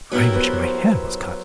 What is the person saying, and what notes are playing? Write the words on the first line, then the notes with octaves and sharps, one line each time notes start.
I wish my hair was cut!
F#3 B3 E4 G4 A#4
B4
C5
C#5
C5